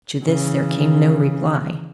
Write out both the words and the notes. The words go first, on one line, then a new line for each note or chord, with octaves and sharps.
To this there came no reply.
C#3 E3